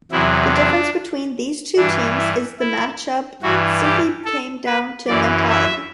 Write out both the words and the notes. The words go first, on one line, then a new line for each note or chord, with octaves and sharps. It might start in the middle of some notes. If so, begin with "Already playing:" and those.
The difference between these two teams in this matchup simply came down to mentality.
E2 C3 F#3 E4
D4
G2 E3 D4
E4
E4
G2 E3 F#4
G4
A4
B4
F#2 E3 D5
E5